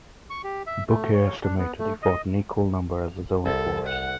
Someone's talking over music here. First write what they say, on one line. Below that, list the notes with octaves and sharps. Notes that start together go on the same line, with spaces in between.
Bouquet estimated he fought an equal number as his own force.
C#6
G4
E5
A3
C#5
D4
B3
A3
D#5
C2 A4
F#5